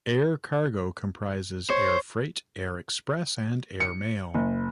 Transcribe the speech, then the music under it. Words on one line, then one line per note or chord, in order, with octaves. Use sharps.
Air cargo comprises air freight, air express and airmail.
C5 C#5
C#7
F#1